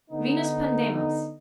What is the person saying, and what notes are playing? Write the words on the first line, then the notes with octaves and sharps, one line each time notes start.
Venus Pandemos.
D3 B3 D#4